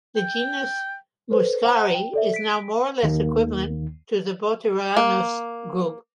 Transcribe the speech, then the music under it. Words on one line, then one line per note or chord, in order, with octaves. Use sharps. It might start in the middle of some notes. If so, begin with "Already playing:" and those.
The genus "Muscari" is now more or less equivalent to the Botryanthus group.
G5
A4 B4 C5
C5 F#5 A#5
G5
A4 D5 E5
B6 D7
D#2 D#3 A#3
A#3